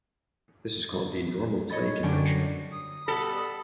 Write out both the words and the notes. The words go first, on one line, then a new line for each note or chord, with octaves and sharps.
This is called the "normal play" convention.
C#5 D#5 B5 A6
F#2 D3 F#3 G3 C#4 D4
A#6
D#6
B2 G3 A4 B5